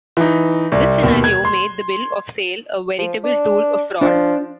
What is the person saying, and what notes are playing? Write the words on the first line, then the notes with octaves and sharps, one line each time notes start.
This scenario made the bill of sale a veritable tool of fraud.
E3 D#4
C2
D#2 B2
G#6
C6
F3
D4
F3 D4